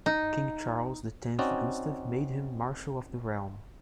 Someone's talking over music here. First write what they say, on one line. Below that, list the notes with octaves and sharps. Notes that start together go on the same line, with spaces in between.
King Charles the Tenth Gustav made him Marshal of the Realm.
D#4
C4 C#4 D#4 F#4 D5